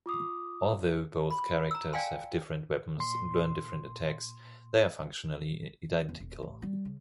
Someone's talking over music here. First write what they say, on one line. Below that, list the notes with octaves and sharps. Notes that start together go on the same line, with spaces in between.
Although both characters have different weapons and learn different attacks, they are functionally identical.
F4 D6 D#6
B5
A#5 E6
D5 F5 G5 G#5 C6
A#2 C6
E2
E1
A1
G3
C#3